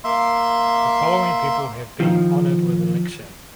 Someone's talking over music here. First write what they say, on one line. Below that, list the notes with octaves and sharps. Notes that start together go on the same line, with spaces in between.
The following people have been honored with election.
A#3 E5 C6
D#3 F3